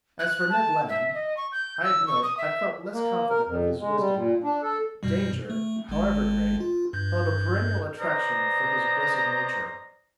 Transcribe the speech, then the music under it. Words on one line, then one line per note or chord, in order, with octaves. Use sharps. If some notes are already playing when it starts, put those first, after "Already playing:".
As for Ned Land, I admit I felt less confident of his wisdom. Danger, however great, held a perennial attraction for his aggressive nature.
F#6
A5
E5
D#5
C#6
G6
E6
C#6
D#6
E5
A#3
A#4
F2
G#3
G3
A#2
D4
A4
F#2 B2 G3
A3
G#1 G#3
F4
G2 G6
B4 C5 D5 D#5 A#5